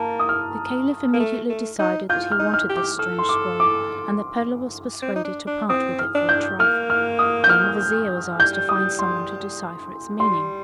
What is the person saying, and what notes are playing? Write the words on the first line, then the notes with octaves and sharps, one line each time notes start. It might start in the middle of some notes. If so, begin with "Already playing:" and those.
The Caliph immediately decided that he wanted this strange scroll, and the peddler was persuaded to part with it for a trifle. Then the Vizier was asked to find some one to decipher its meaning.
Already playing: A#3 A5 A#5
D#6
F6
A#3
A3
A3
D#4
F4 G6
F6
D#4
F6
G4
D6
A4 F6
C6
D6
D6
C4
D#4
D4
D4
C4 D#6
F6
D4
G6
A#3 F6
F6
D#6
G6
F6
G3 G6
D#6
C6
G3 C6